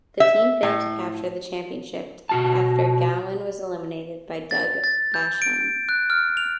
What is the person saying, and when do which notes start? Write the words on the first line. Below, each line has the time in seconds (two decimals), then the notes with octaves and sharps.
The team failed to capture the championship after Gowen was eliminated by Doug Basham.
0.20 E5
0.63 A2
2.29 B2 F#4 A5
4.51 A6
4.84 A6
5.14 G6
5.42 D7
5.89 F#6
6.10 F6
6.37 F7